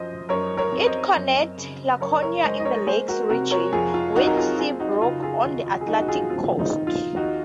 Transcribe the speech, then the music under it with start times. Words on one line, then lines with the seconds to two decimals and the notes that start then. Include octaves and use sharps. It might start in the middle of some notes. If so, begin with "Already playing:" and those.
It connects Laconia in the Lakes Region with Seabrook on the Atlantic coast.
Already playing: F#2 F3 C5 D#5
0.29 F#2 A#4 C#5
0.57 A#4 C#5
0.72 C4
0.86 C5 D#5
1.16 F#2
1.57 C#3
2.00 F#2 A#4 C#5
2.22 A#4 C#5
2.44 G#3 C5 D#5
2.60 D#5
2.65 A#4 C#5
2.86 A#3 G#4 C5
3.08 F#4 A#4
3.29 C3 F#4 A#4
3.51 A#4 C#5
3.72 F2 F4 G#4
3.94 F4
4.16 F#3 D#4 F#4
4.27 A#4
4.37 F4 G#4
4.58 C4 F4 G#4
4.80 D#4 F#4
5.01 C#3 F4
5.22 F4 G#4
5.44 D#2 F4
5.66 F4
5.81 G#4
5.87 F#3 D#4 F#4
6.01 F#4
6.08 F4 G#4
6.30 C4 F4
6.59 D#4
6.73 D#3
6.87 F4
7.16 D#2 D#4 F#4